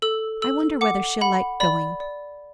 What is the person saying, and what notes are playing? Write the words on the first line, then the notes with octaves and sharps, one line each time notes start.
I wonder whether she'll like going.
A4 E6
A4 E6
F#5 D6
F#5 B5
D5 B5
D5